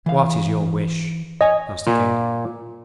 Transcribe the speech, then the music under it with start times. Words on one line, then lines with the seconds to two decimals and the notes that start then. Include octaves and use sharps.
'What is your wish?' asked the King.
0.06 E3 F5
1.41 C#5 D#5 G#5
1.87 A#2